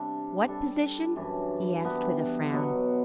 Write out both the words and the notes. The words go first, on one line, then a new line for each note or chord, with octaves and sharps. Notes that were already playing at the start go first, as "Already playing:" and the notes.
"What position?" he asked, with a frown.
Already playing: C3 G3 D4
G3 D4 A4
F#2 E3 G3 D4
E3 B3 D4 G4
B2 F#3 B3